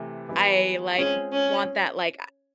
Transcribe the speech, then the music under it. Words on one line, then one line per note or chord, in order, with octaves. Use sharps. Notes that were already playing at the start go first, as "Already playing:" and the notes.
I, like, want that, like, a
Already playing: C3 E3 A3
E3 G3 B3
G#3 C4 C#4 F4 G#4
C#4